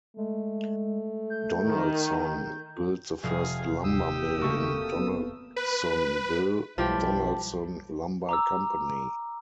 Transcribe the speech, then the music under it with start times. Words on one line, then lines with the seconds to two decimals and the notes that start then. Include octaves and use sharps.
Donalson built the first lumber mill in Donalsonville, Donalson Lumber Company.
0.17 G#3 A3
1.30 G6
1.65 D#3
3.23 F1 G#4 F5
3.84 D#2 C3 G4 D#6 E6
4.41 C#3 A3 A#3 F#4 C#6
4.99 B3 B4
5.56 B4
6.78 B1 F3 G3 E4 G4 G5 A5
8.29 A#5 D6 E6